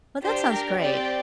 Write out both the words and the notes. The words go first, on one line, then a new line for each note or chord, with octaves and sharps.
Well, that sounds great.
D4 G4 C5
A#4
C4 G4 D5